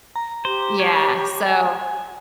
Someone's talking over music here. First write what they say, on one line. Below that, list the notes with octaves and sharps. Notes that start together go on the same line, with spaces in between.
Yeah, so
A#5
G4 C5
C#5
G#5